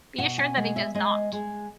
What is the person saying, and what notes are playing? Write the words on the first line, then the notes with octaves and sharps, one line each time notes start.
Be assured that he does not!
B2 F#5
G#5
G#3 F#5
E5
G#3 D#5
G#3